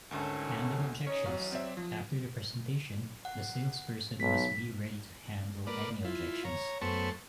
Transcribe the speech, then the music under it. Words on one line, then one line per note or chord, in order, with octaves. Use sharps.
Handling objections-After the presentation, the sales person must be ready to handle any objections.
D2 G#2 D3 D#3 A3 C#4
C#3 D#4 C#5
A1 F#3 F5
C4 D5 E5
F3
F#5
B1 B6
A#3 B4 D5
E4 F4
C#5 A#5
F#2 A3 B3 C5 A5 C#6